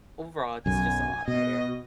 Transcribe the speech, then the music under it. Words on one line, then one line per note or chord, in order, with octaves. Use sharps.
Overall, it's just a lot better,
B1 F#2 G#5
B2 D#5